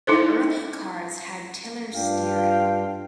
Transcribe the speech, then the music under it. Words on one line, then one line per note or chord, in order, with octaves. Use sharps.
The early cars had tiller steering.
D#4 E4 A4 C5
G2 D4 F4 F5 G5